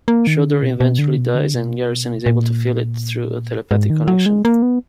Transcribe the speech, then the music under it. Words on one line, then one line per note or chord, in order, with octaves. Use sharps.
Schroeder eventually dies and Garrison is able to feel it through a telepathic connection.
A#3
D#3
D3
B2
B2
D3
B2
D3
B2
A#2
G#2
D#3
F#3
G#3
A#3
B3